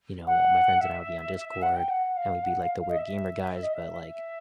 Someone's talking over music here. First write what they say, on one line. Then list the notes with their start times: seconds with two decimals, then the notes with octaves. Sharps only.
you know, all my friends and I would be on Discord, and we'd be like the weird gamer guys, but, like,
0.26 F#5
0.81 E5
1.35 E5
1.48 E5
1.62 F#5
1.76 G5
1.90 F#5
2.16 F5
2.43 F#5
2.61 F5
2.80 F5
2.89 D#5
2.98 E5
3.53 E5
3.63 D#5
3.73 E5
4.06 E5